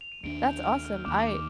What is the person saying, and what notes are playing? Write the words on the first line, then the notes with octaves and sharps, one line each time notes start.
That's awesome. I
F7
D#7
D#2 D#3 A#3 D4 D7
G6
F6
F6
D#2 D#3 A#3 D4 D6